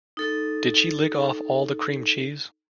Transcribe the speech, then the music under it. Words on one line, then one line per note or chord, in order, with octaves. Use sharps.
Did she lick off all the cream cheese?
D#4 A4